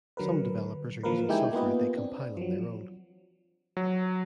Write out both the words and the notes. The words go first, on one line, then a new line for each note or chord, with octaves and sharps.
Some developers are using software they compile on their own.
D3 F#3 A#4 B4
D3 E3 F3 A#3 A#4 B4
G#3 D#4 E4 G4 G5 G#5
A#3 B3 F4 B4 D#5
C4 D4
F3 F#3
F#3